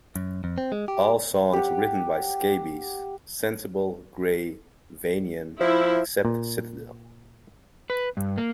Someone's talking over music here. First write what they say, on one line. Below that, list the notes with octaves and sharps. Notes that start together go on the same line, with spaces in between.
All songs written by Scabies, Sensible, Gray, Vanian, except "Citadel".
F#2
F2
C4
G#3
G4
G4 F#5
F3 E4
A#2
B4
G2
A#3